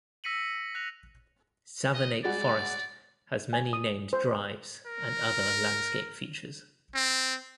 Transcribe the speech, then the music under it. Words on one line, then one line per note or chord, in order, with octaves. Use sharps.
Savernake Forest has many named drives and other landscape features.
E6 A#6 B6 C#7 D#7 F#7
F#6 A#6 F7
D#5
G3 G#3 F#4 D5
G#5
D#6
C5
A#4
C4